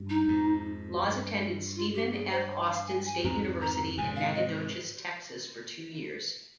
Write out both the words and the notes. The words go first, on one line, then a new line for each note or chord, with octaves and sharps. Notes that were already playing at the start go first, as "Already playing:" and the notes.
Laws attended Stephen F. Austin State University in Nacogdoches, Texas, for two years.
Already playing: G2
D#4
F2 G#2
G2
F4
G4
G#4
C5
C#5
F5
G#5
G#5
F2 G#2 A#5
A#5
G#2 C3 G#5
F5
D#5